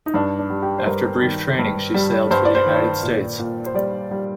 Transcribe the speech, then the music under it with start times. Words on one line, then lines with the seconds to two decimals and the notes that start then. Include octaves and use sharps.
After brief training she sailed for the United States.
0.06 D#4
0.14 G2 D4
0.39 D4
0.50 G3
0.63 G4
0.78 C5
0.87 G2 A#4
1.22 D#3
1.59 G2
1.94 G3
2.31 G2 C5
2.45 D5
2.55 C5
2.66 D#3
2.79 D5
3.03 A#2
3.39 A#2
3.66 C5
3.74 G3 D5
4.11 G3